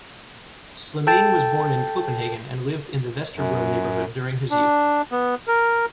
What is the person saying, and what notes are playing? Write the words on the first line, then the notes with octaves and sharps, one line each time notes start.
Slimane was born in Copenhagen and lived in the Vesterbro neighbourhood during his youth.
A4 G5 A5
F#2
D4
B3
A#4